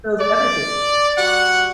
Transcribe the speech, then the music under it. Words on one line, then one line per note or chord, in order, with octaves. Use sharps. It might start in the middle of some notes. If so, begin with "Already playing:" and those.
those beverages.
D5
G3 F#4 F#5